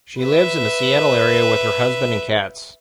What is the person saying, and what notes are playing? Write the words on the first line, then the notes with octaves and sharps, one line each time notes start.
She lives in the Seattle area with her husband and cats.
B4 E5